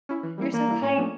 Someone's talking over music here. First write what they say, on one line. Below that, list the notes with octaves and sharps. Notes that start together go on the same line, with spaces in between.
You're so kind.
C#4 E4
E3
G3 A#3 E4
E3 A#3
G3 A#3 E4
A2 C#4
F3 A3 D4